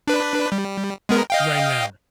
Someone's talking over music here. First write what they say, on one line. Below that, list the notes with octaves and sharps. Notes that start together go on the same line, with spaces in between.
Right now.
D4 B4
G3
G#3 B3 A#4
D#5 F5 G5